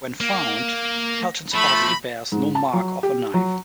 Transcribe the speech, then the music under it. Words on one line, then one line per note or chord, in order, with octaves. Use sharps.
When found, Helton's body bears no mark of a knife.
A#3
F3 A3 B5
G#2
A5
F#3
G4
F#3